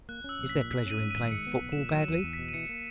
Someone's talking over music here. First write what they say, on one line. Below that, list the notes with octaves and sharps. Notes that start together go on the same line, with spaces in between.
Is there pleasure in playing football badly?
A#3 F#6
C#4 E6
A#1
B6
A#2
A#3 B6
C#4 D#7
G#2
D#3 D#7
G#3 C#7
B3
D#7
B1
A#2 E7
F#3 E7
E2 D#7
E2
B6
B2
D#7
E3 C#7
A#3